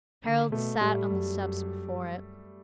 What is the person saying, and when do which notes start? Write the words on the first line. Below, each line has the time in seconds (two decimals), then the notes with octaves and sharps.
Harald sat on the steps before it.
0.24 D3
0.52 B2 A3
0.81 A2 G3
1.10 F#2